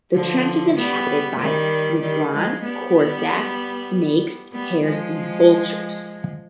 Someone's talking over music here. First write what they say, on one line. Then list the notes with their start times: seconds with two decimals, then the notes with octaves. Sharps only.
The trench is inhabited by mouflon, corsac, snakes, hares and vultures.
0.14 D3 F3
0.76 G3 B3
1.39 D#3 G3
2.01 D#3 G3
2.33 F3 G#3
2.65 G3 B3
4.52 G3 B3
4.84 F3 G#3